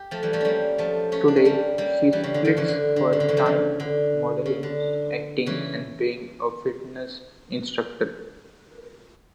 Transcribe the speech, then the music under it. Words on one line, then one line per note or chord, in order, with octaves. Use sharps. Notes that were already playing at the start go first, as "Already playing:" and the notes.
Today, she splits her time modeling, acting, and being a fitness instructor.
Already playing: G4
F3 A3
E3 G3
F3 A3
G3 A#3 C#4
F3 A3
A3 C#4
D4
C#4
G3 A#3
G3 A#3
E3 G3
C#3
D3
D3 F3
C#3 E3
D3
D3
C#3
D3
C#3 E3
D3 F3
C#3 E3
D3
C#3
D3
C#3 E3